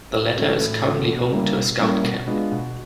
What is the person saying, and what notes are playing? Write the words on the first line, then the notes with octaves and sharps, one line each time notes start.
The latter is currently home to a Scout camp.
A2
E3 A3 C#4 F#4
A2
E3 A3 C#4 F#4
B2
G3 A#3 C#4 E4
B2
G3 A#3 C#4 E4
B2
G#3 B3 D4 F4
B2